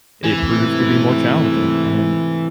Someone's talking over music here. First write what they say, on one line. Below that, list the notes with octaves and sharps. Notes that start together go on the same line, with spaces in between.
it proved to be more challenging, and
G#2 C3 E3 A3